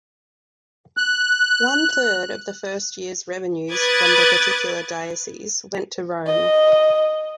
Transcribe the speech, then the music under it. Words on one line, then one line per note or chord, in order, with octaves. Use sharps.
One third of the first year's revenues from the particular diocese went to Rome.
F#6
B4 D6 D#6 F#6 G#6 A6
D#5